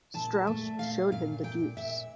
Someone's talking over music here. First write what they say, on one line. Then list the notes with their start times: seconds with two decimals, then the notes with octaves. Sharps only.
Straus showed him the deuce.
0.14 A#2 A5
0.47 A3
0.79 A#2 F5
1.12 A#2 F5
1.44 A#2 G5
1.77 A#2 E5